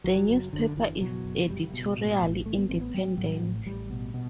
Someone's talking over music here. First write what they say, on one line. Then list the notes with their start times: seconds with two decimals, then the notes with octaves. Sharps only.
The newspaper is editorially independent.
0.04 F#1 F#3
0.29 F#1
0.53 F#1 D3
0.76 F#1 E3
1.01 B2 F#3
1.26 F#1
1.49 F#1 G3
1.74 B2
1.97 A2
2.21 A1
2.46 A1 A3
2.57 B3
2.69 A1 C4
2.81 B3
2.94 A1 G3
3.18 A2 F#3
3.41 A1
3.66 A1 G3
3.90 B2
4.14 B2